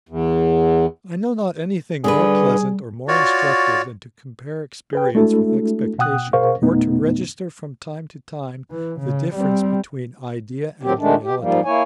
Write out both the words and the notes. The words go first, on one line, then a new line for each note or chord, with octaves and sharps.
'I know not any thing more pleasant, or more instructive, than to compare experience with expectation, or to register from time to time the difference between idea and reality.
E2
D3 G3 D4 G#4 B4
F4 F#4 C#5 D5
G#4 B4 G5
G#3 A3 D4 E4 F#4 A4
B2 F#5 G5 D#6 F#6
B2 G#4 A#4 C5 F5 C#6
F2 B2 A3 B3 D#4
E3
C#3
G3 C4
D#2 A#2 D#3 F#3 C4 G4
D#3 G#3 A3 D4
G4
G#2 F3 G3 A#3
A#3 E4 C#5 G#5